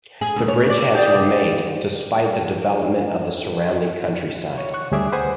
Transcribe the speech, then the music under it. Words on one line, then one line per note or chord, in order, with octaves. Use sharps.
The bridge has remained despite the development of the surrounding countryside.
G#4
D2
C#5
D5
G4 G#4 D5
C#5
C#6 F#6
D2 G3 G#4 E5 D6
B4 C5 F#5 G#5 D#6